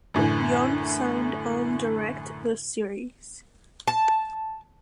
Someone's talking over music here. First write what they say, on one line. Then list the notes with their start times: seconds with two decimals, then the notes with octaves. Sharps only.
Yeon signed on direct the series.
0.14 F#2 A2 D3 E3
3.87 A5